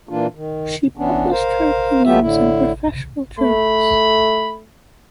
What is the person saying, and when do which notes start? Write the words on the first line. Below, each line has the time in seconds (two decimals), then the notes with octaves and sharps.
She published her opinions in professional journals.
0.09 A#2 E3 A#3 D4 F4
0.35 D#3
0.97 E3 B3 C#4 D4
1.31 A#4 C5 F5
2.05 F#3 A3 B3 F4 G4 E5
2.20 A2 D3 E4
3.39 A3 B5